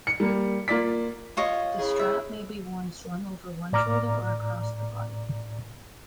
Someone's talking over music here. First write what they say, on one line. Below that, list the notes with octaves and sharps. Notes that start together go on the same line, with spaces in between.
The strap may be worn slung over one shoulder or across the body.
C#7
G3 A#3
A#3 F4 D5 B6
F4 C#5 D#5
C#3 E4 G#4
E5
A2 D5 A#5 D6 F6